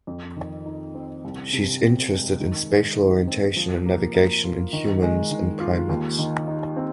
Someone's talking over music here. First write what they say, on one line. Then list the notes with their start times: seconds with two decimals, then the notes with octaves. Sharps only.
She is interested in spatial orientation and navigation in humans and primates.
0.07 F2
0.36 D#3
0.66 D#4
0.95 C4
1.24 C2
1.53 C3
1.82 C4
2.11 G#3
2.40 D#3
2.69 G#3
2.98 D#4
3.27 C4
3.57 F3
3.85 A#3
4.15 A#4
4.44 F4
4.73 D#3
5.02 G#3
5.31 D#3
5.60 F4
5.89 D#2
6.19 D#3
6.48 D#4
6.77 C4